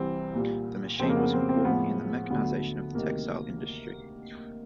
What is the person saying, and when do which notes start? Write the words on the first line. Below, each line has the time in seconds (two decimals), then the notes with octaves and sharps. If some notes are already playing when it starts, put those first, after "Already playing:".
The machine was important in the mechanization of the textile industry.
Already playing: C2 C3 E3 G3 C4
0.35 A#2 G3
1.00 F2 C#3 F3 G#3 C4
1.09 A#3
1.16 B3
1.33 C4
1.49 C4
1.65 A2 F3 G#3 B3
2.30 D2 D3 F#3 A3 B3
2.95 D2 C3 D#3 G3 A#3